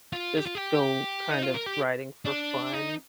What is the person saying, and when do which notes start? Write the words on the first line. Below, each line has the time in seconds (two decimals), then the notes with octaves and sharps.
just go kind of riding for fun,
0.13 F4
0.36 G4
0.46 F4
0.55 G4
1.31 D#4
1.42 F4
1.54 A#4
1.66 G4
2.25 D4
2.73 D#4